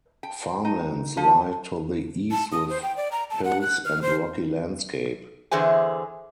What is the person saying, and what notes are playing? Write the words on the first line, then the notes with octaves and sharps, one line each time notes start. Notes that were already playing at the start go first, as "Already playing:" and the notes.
Farmlands lie to the east with hills and rocky landscape.
G5
D#4
F3
A5
D#6
C5
G5
D5
A#5
A5
F#5
F#6
F6
C5
E2 D3 E3 G#4 C5 G#5